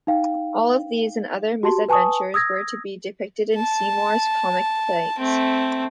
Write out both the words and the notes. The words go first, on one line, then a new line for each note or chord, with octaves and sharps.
All these and other misadventures were to be depicted in Seymour's comic plates.
D#4 F5 G5
F#4 G4 A5 C6
B4 G#5 A5 C#6 D#6
D#6 E6 G#6 A#6
A5
A3 C4